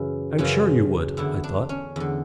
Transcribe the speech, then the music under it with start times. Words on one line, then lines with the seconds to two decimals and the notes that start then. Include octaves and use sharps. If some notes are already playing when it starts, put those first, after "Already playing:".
"I'm sure you would," I thought.
Already playing: F#2 C#3 E3 E4
0.38 F#2 C#3 E3
1.17 E2 D3 E4
1.44 D4
1.69 C#4
1.96 E2 D3